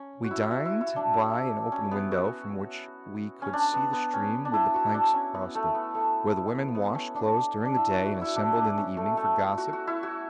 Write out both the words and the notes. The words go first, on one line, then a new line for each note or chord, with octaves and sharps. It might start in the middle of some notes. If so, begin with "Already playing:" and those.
We dined by an open window, from which we could see the stream with the planks across it where the women washed clothes during the day and assembled in the evening for gossip.
Already playing: C#4
F#4
E4
E4
F#4
E4
E4
D4
C#4
B3
F#4
C#4
D4
B3
B3
C#4
D4
E4
F#4
D4
C#4
B3
A3
B3
A3
B3
B3
C#4
D4
D4
E4
F#4
F#4
E4
D4
D4
C#4
A3
A3
F#4
F#4
E4
F#4